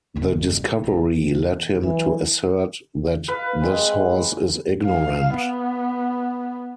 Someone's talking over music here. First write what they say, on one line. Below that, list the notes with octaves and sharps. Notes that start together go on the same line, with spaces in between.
The discovery led him to assert that "this horse is ignorant".
F#1 G2
B2 E3
E3 F#3
B4 F5
G#3 C4
F5
B3